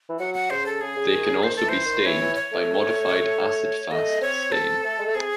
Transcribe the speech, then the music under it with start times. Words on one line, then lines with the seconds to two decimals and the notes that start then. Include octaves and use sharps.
They can also be stained by modified acid-fast stain.
0.09 E3
0.19 F#3 F#5
0.34 F#5
0.50 C#3 C5
0.66 A4
0.81 C#3 G#4
0.96 C#3
1.12 D#3
1.27 C#3
1.43 D#3 C5
1.56 A4
1.64 E3 C5
1.85 D#3
2.05 E3 C#5
2.21 E3
2.36 C#5
2.52 A3
3.91 A3 D#5
4.21 C4 C#5
4.52 C4 A4
4.84 A3
4.99 G#3
5.06 A3
5.15 C4 G#4